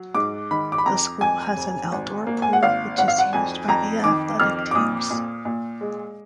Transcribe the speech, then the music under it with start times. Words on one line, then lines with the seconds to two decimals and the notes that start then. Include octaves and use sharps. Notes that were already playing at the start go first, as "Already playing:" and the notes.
The school has an outdoor pool which is used by the athletic teams.
Already playing: F#3
0.15 G#2 D6
0.51 D#3 B5
0.72 D6
0.78 B5
0.86 F2 A#5
1.21 F2 G#5
1.56 F1
1.92 G#1
2.27 A#3
2.42 G#5
2.53 F#5
2.63 G#1 F5
2.98 G#1 F#5
3.08 F5
3.18 F#5
3.33 F2 G#5
3.68 F2 A#5
4.04 D#3 D6
4.40 F2 F6
4.71 D6
4.75 A#2 D#6
5.10 A#2
5.45 A#2
5.81 G#3